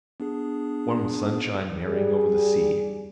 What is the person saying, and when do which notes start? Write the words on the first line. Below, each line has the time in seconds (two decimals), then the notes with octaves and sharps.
Warm sunshine merrying over the sea.
0.20 B3 D4 G#4
1.85 G3 G#4